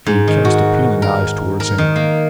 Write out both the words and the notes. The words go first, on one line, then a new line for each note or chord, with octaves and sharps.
She cast appealing eyes toward him.
G#2
D#3
F#4
A#4
A#4
D#3
A#3